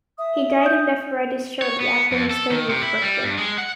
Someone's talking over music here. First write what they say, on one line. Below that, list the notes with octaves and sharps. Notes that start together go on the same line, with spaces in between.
He died of nephritis shortly after his thirtieth birthday.
E5 D#6
G6
C#5
B3
F2
A4
D#3
C3
E4
G3
G2
G#3
F#5